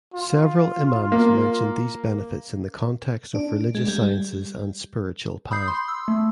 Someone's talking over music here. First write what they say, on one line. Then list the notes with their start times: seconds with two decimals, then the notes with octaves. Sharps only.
Several Imams mentioned these benefits in the context of religious sciences and spiritual path.
0.14 F4
1.12 A#3
3.35 D4
3.75 G#3
3.88 G3
5.51 B5 D#6 G6 C7
5.68 C6
5.88 E6
6.08 A3